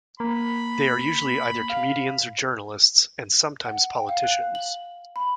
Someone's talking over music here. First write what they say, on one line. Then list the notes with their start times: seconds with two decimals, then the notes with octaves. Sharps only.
They are usually either comedians or journalists, and sometimes politicians.
0.20 A#3 B5
1.70 F5
3.65 F#5
3.95 G5
4.09 F5
4.24 F#6
4.55 F#7
5.16 B5